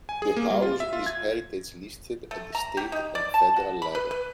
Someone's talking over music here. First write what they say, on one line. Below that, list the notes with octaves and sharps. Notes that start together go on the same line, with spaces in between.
The house is heritage-listed at the state and federal level.
G#5
G#4
A#3
G3
F4
E5
F4
G#6
A3
A#5
G4
D#4
D5
A5
F#4
B5
B4
B4